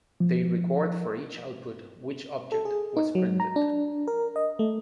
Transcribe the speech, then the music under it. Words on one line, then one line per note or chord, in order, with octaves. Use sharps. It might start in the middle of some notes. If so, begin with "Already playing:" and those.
They record for each output which object was printed.
F3
A4
G#4
D#4
F#3
A#5
D4
A#4
D#5
A3